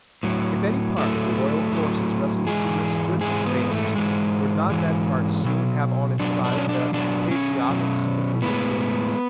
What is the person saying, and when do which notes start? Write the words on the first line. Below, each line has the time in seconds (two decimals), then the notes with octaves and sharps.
If any part of the royal forces resolutely withstood the invaders, would not that part soon have on its side the patriotic sympathy of millions?
0.23 A2 F#3
0.97 A2 F#3 A3
1.72 A2 F#3
2.47 G#2 E3 G#3 G#4
3.21 G#2 E3 G#3 G#4
3.46 B3
3.70 A3
3.96 G#2 E3 G#3
4.69 G#2 E3 G#3
5.44 B2 F#3
6.20 B2 F#3 D4
6.44 D4
6.57 C#4
6.69 D4
6.94 B2 F#3 D4
7.31 C#4
7.68 B2 F#3
8.42 A2 G#3 B3